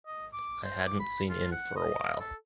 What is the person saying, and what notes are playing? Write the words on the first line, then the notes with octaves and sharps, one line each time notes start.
I hadn’t seen in for a while.
D#5
D6
C5
D6
B5
F4
F#5
D#5
A4